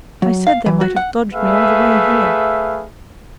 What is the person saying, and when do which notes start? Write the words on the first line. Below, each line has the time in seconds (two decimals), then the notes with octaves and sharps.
"I said they might have dodged me all the way here."
0.22 F#3
0.47 F5
0.66 E3
0.81 F#4
0.96 F#5
1.34 A3 G#4 B4 E5 F5